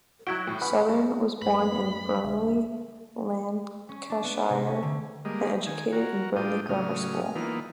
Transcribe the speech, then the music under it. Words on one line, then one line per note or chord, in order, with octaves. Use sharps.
Southern was born in Burnley, Lancashire and educated at Burnley Grammar School.
F#3 E4 F#4 G5 F#6
A2
C#3 B4 F#5 B5
G2
F#2 A2 B4 B5
B1 D3 E5
C#4
D4
B3
C3
C#4
D3
G3 G#3 A#3 D#5
D#3 G#5
F#4 A#4
A2 D4 F4 G5 D#6
A2 C#3 F#3 D#6 F6
E3 A#3 B3 D#4 F4